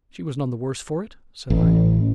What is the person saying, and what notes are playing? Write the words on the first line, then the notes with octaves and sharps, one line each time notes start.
"She was none the worse for it," said I.
A1